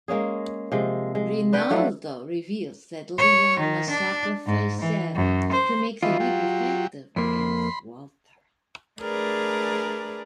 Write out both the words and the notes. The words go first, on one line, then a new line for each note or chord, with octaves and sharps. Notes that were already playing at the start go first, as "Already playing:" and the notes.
Rinaldo reveals that Leon must sacrifice Sara to make the whip effective against Walter.
G#3 A#3 C#4 G#4
C3 F3 G#3
G#3
D4 B4 F#5 G5
F3 F#3 A3
C#5
D#3
D4
G#2
E3
F#2
C5
D#3 E3 B3 F4
F#3 G4
F2 A#3 B5 C6
A3 D4 G#4 A#4 B4 D5